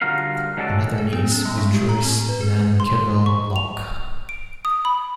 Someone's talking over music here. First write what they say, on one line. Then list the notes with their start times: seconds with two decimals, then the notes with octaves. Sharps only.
Another niece was Joice NanKivell Loch.
0.02 D3 G3 F4 F#4 A#4 F5
0.57 D#3 G#3 C#4 F#4 A4 D5
0.98 G#4
1.13 B3
1.32 C#4
1.45 G3
1.58 G#3
1.74 G4
1.89 A#5
2.02 C4
2.29 B4
2.41 G#4
2.80 C6
3.26 C#6
3.56 F7
4.29 D7
4.65 D#6
4.85 B5